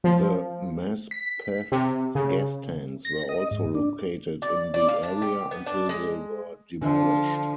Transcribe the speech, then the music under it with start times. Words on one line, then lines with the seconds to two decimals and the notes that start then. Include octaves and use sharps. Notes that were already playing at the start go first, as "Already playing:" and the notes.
The Maspeth gas tanks were also located in the area until they were demolished.
0.04 F3
1.11 B6
1.72 C3
2.15 C#3
3.05 A#6
3.29 D#5
3.51 G#2
3.75 D4
4.42 D5
4.74 D5
4.89 F5
5.03 D4
5.22 G4
5.51 B3
5.66 D4
5.89 G#3
6.82 D3 F3 D4